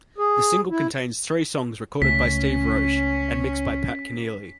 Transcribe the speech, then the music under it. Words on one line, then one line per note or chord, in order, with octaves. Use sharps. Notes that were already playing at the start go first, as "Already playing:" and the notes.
The single contains three songs recorded by Steve Roche and mixed by Pat Kenneally.
G#4
E4
C#2 A3 C#4 B6